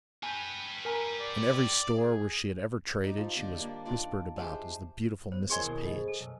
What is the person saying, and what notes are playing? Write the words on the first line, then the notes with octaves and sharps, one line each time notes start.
In every store where she had ever traded she was whispered about as the beautiful Mrs. Page.
G4 B4 G#5 G6
A#4 G#5 A#5
D5
G#4
D#4 G4
F3
D3 G4 C5 D#5
G3 A#3
D4 D#4 F4 D5
G#3 A3 G4 C5
B3 C5
E4 G#4 A#4 C5 C#5 D#5 G#5 C6
D#2 B2
G#4 C5 D#5
A4 G#5
B1 F#2